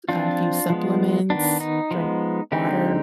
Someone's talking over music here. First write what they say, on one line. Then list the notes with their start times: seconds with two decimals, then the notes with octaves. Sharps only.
a few supplements, drank water,
0.09 F3 C4 D4 F4
0.70 F3 G#3 B3
1.30 D#3 B3 D4
1.60 D#4
1.91 F3 G#3 B3
2.52 D3 G#3 C4 D#4 G4